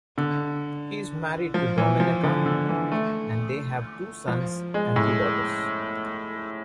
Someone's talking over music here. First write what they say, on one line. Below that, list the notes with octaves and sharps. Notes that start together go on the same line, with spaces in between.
He is married to Domenica and they have two sons and two daughters.
D3
F3
E3
F3
D3
D3
E3
A3
F3
G#3
A2